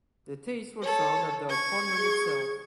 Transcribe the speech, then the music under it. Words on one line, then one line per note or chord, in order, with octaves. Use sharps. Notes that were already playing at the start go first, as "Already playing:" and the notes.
The tapes were found at the apartment itself.
A4 C#5
C#6 G#6
G#4